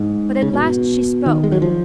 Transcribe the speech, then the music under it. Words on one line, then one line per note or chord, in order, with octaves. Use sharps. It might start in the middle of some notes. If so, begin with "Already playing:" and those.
But at last she spoke.
Already playing: G#2
C#3
B2
D#3
G#3
F#3
F3